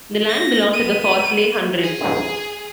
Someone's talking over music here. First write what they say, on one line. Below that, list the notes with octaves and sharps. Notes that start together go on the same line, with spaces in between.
The land belonged to the Fawsley Hundred.
A#6
B3 D#7
G#4